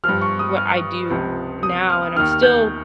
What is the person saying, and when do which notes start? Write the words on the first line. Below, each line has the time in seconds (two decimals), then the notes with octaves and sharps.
what I do now, and I'm still
0.04 G2 F3 F6
0.21 C#6
0.39 D#6
0.57 F6
1.10 C#2 C3 F3
1.63 D#6
1.90 F6
2.16 D#2 D#3 F6
2.31 F6
2.43 G6